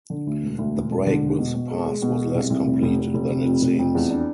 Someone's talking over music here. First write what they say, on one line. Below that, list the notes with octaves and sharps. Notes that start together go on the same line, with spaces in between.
The break with the past was less complete than it seems.
D3
D2
E1
D2
E1
E1
D3
E1
B2
B2
G#3
G#3
B2
G#3
C2
C2
F1
F1
F1
F1
C3
F2
F1
F2
E2
D4